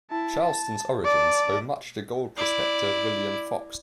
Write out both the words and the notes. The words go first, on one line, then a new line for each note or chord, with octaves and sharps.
Charleston's origins owe much to gold prospector William Fox.
E4 A5
A5
D5 A5
E4 D5